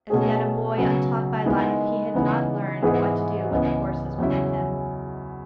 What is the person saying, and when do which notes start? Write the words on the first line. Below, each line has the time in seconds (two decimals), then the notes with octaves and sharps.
As yet a boy untaught by life, he had not learned what to do with the forces within him.
0.10 B2 A3 C#4 G#4
0.77 C#3 F#3 B3
1.46 D#3 G#3 B3 E4
2.14 C#3 E3 B3 D#4
2.82 G#2 E3 B3 E4 G#4
3.51 C#2 C#3 E3 B3
4.19 E2 C#3 F#3 C#4 E4